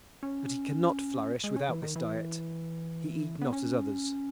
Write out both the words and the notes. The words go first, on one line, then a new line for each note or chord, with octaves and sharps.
But he cannot flourish without this diet; he eat not as others.
C#4
G#3
C#4
E3
D#3
E3
B3
C#4